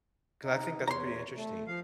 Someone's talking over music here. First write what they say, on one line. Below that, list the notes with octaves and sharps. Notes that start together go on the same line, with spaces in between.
'cause I think that's pretty interesting.
D#4
E2 C#5 A#5 C6
A3
F3 F5